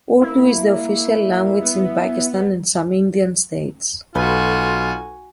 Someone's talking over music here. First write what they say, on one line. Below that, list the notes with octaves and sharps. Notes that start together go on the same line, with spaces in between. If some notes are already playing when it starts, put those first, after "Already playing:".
Urdu is the official language in Pakistan and some Indian states.
A#3 E4
B3
B1 F4 F#4 A4 B4 G#5